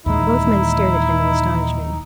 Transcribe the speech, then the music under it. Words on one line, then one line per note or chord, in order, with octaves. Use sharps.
Both men stared at him in astonishment.
D#2 A#2 E3 G#3 D#4 E4